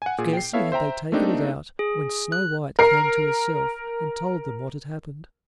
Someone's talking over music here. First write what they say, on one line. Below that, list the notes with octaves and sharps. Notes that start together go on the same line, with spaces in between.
Scarcely had they taken it out when Snow-white came to herself, and told them what had happened.
F#5 G#5
A#2 G#4
G5 C7
B3 E4 A4 C#5 E5 F5
C5 E5 G5 A#5
A3 A#3 C4 D4 D#4 G4
G#4
F#6
A#4 C7